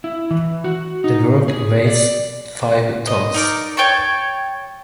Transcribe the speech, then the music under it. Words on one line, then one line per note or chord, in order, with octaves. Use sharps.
The work weighs five tons.
E4
E3
F#4
D#4
G#4
D5
D#5
D#4 A#4 D5
C#5 G5 A5 C#6